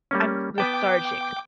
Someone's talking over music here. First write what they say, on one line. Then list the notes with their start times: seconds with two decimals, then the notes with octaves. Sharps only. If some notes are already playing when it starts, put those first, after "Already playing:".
I'm lethargic.
0.11 G3 A#3 C#4
0.58 B3 B4 G5 A5 D6